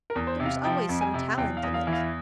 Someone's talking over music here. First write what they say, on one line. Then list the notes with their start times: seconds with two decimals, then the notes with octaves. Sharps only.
There is always some talent in it.
0.10 A#4
0.15 E2
0.27 C5
0.40 C3
0.46 F5
0.64 F3 G5
0.89 F2
1.01 G#5
1.14 C3
1.37 E2 G5
1.57 F5
1.63 E2
1.74 F5
1.87 E3
1.93 F5